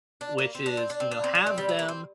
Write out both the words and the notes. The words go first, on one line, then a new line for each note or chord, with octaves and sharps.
which is, you know, have them
D4
A#3
C4
D4
C4
D4
C4
D4
C4
D4
C4
G3
A3
A#3
C4